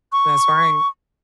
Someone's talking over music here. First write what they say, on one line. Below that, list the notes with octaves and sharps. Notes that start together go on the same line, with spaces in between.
That's right.
C#6